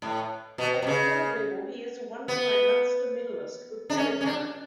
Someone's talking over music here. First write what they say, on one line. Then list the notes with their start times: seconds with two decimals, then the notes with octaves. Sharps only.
At club level he is a one-time Munster medallist with Ballygunner.
0.02 A2
0.58 B2
0.82 B2
0.87 C#3
2.28 B3
3.90 D4
3.97 C#4
4.21 C#4
4.26 D4